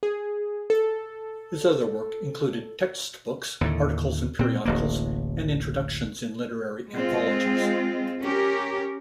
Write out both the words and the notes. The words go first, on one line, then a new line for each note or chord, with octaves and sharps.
His other work included textbooks, articles in periodicals and introductions in literary anthologies.
G#4
A4
D#2 A2 D3
A#2 C4
D1 A1 A#3
G#3 C4 F4
C#4 G4 A#4